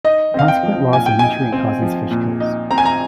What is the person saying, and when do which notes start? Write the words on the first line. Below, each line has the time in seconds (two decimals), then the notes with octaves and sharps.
The consequent loss of nutrient causes fish kills.
0.04 D#4 D#5
0.34 C4 F5
0.48 G5
0.63 F3
0.93 A#2 G#5
1.06 G5
1.19 D#4 G#5
1.52 C4
1.82 F3
2.11 A#2
2.40 D#4
2.71 C4 A#5
2.78 G#5
2.85 A#5